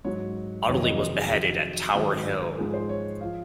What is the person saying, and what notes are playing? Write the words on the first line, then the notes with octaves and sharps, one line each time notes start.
Audley was beheaded at Tower Hill.
G#2 F#3 C#5
F2 C3 D#3 F#3 C#5
D#5
A#4
C5
G#4
F2 D#3 F#3 F#4
G#2 D#3 F#3
G#2 F3 G#4
C5
C#5
F3 F5